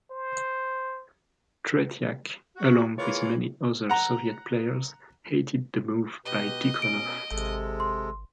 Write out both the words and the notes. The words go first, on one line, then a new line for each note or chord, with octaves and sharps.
Tretiak, along with many other Soviet players, hated the move by Tikhonov.
C5
F#4
E3 G#3 A#3 F4 C#5 D5
F#5 A#5
B2 G4 B4 D#5
B2 C#4 D7
G#1 C3 G#3 A4
C6